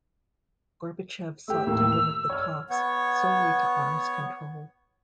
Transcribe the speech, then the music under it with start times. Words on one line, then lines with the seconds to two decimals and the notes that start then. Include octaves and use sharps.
Gorbachev sought to limit the talks solely to arms control.
1.48 A3 G4 E6
1.66 D#2 A2 A#3
1.92 F7
2.30 C#5 F6
2.70 B3 C#5